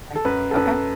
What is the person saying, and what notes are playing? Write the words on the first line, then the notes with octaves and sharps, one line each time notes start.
Yeah. Okay.
A4
F#2 B4
A4
F#2 B4